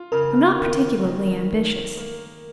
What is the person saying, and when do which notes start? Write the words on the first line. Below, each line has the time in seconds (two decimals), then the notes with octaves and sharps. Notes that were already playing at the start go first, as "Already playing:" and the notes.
I'm not particularly ambitious.
Already playing: F4
0.12 C#3 A#4
0.58 D#3
1.04 D#3
1.51 A#3
1.97 A#3